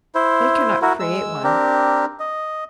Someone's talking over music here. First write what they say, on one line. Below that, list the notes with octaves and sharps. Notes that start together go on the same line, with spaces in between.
They cannot create one.
E4 C5
E4 F#4 A#4
G#3 E6
C4 D4 G4 A#4
D#5